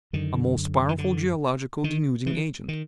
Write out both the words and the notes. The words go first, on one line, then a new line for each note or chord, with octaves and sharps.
A most powerful geological denuding agent.
F#2 D3 D#3
D#3
D3
D#3
E3
D#3